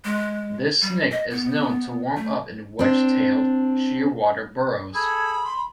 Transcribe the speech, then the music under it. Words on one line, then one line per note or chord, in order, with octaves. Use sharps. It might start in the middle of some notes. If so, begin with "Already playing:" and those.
This snake is known to warm up in wedge-tailed shearwater burrows.
G#3
G3
D#5
B3
A3
C4 D4
G#4 A4 B5 G#6
C6